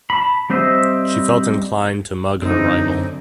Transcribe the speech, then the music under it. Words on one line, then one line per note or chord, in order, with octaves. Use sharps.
She felt inclined to mug her rival.
A5 B5
G3 C4 C5 D#5 E5
F#2 D3 C4 D#4